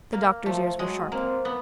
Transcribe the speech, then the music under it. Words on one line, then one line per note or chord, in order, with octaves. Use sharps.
The Doctor's ears were sharp.
A#3
F3 A3
F#3 G#3
A#3 C4
B3